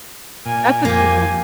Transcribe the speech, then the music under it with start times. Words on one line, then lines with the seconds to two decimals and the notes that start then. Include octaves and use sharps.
that's a good one.
0.46 A#2 G#5
0.85 F2 A#3 G4 G#5